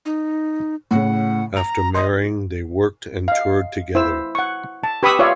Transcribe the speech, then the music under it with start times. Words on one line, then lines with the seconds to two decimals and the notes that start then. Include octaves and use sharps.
After marrying, they worked and toured together.
0.05 D#4
0.91 A2 C#3 F#5
1.56 A#5 F7
1.95 D#5 C6 D#6 A#6
3.28 D#5 F5
3.95 E4 C5 E6
4.35 F#5 C#6
4.84 A5
5.03 G4 B4 B5 C#6 D#6 E6
5.19 F4 C#5 D5 E5 F5